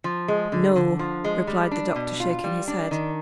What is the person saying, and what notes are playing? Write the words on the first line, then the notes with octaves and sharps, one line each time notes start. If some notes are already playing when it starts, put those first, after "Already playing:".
'No,' replied the Doctor, shaking his head.
F3
G#3
D3
D3
F3
G#3
G3
D4
B2
F4
G3
D4
D#3